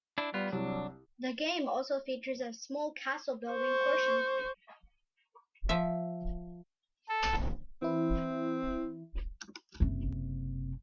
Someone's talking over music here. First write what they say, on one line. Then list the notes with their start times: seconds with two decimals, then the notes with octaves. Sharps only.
The game also features a small castle-building portion.
0.18 D4 E4
0.34 G3 B3 F4
0.52 C2 F#3 D4
3.51 C5 C#6
5.69 F3 E5
7.09 A4
7.82 E3 C4 E4
9.80 F#1 C3